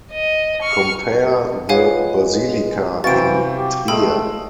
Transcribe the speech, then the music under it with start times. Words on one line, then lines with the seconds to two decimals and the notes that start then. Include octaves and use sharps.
Compare the Basilica in Trier.
0.12 D#5
0.62 C#6 F6
1.69 G#3 F4 B4 C#5 F5 F#5 G#5
3.04 C3 E3 C4 F#4 F5 C#6 A6 D7
3.55 G4
3.88 G#3 A3 G5 B5 D#6 E6